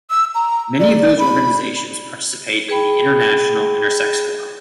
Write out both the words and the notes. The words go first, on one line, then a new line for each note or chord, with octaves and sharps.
Many of those organizations participate in the International Intersex Forum.
E6
A#5
D5
B5
G#4 B4 G5 B5